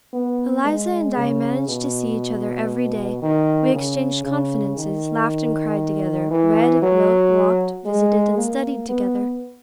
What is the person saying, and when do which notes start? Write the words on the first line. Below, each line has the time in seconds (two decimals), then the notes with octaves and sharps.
Eliza and I managed to see each other every day; we exchanged confidences, laughed and cried together, read, wrote, walked, visited, and studied together.
0.13 B3
0.65 G#3
1.16 C#3
1.68 B2
3.22 D#3
3.74 C#3
4.25 C#3
4.77 D#3
6.31 E3
6.83 F#3
7.86 G#3
8.38 A#3
8.89 B3